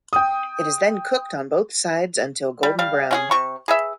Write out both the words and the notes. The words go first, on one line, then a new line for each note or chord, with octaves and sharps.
It is then cooked on both sides until golden brown.
G5 D#6
G3
G3 F5
C#4 F#4 G#4
C3 C#6
G#4 B4 E5